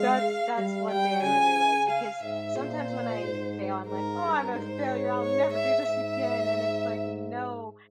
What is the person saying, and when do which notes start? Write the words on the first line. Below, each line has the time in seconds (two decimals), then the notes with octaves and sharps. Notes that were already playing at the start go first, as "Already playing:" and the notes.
that's that's one thing I really like, because a sometimes when I fail, I'm like, "Oh, I'm a failure. I'll never do this again." And it's like, no,
Already playing: G#3 F5
0.57 G3 F5
0.91 G3 G5
1.23 C#3 G#5
1.89 F5
2.23 G#2 E5
2.56 A#2 C5
3.21 G#2
3.88 G#2 A#4
4.21 G2
4.54 G#2 C5
4.86 C#5
5.20 C#5
5.53 E5
5.86 G#2 E5